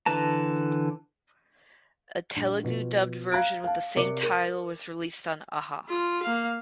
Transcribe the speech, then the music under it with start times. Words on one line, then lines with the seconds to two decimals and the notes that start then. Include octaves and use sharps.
A Telugu dubbed version with same title was released on Aha.
0.06 D3 E3 B4 A5 A#5
2.36 A#1
2.62 B2 F3 F4
3.32 F5 A#5 F#6 G#6 D7
3.64 F5 A5
3.96 C3 A#4 C#5 D5 D6 C#7
4.23 A#4
5.89 F4
6.23 A#3 F5